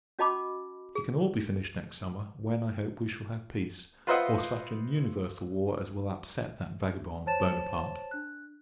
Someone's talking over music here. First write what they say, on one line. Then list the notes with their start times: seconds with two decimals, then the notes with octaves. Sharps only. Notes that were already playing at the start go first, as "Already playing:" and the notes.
It can all be finished next summer; when, I hope, we shall have peace, or such an universal war as will upset that vagabond, Buonaparte.
0.19 C#4 F#4 D#5 A5 B5 D6
0.95 G#4
4.07 F4 B4 C5 D#5 E5 F#5
7.26 C5 C#5 A5 A6 E7
8.11 D4 F#6